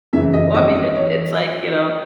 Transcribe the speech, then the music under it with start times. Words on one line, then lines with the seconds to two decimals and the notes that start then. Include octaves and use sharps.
I mean, it it's like, you know
0.13 F#2 C#3 E3 E5
0.33 D#5
0.54 G#1 D#5
0.75 D#5
0.96 C#5
0.99 E3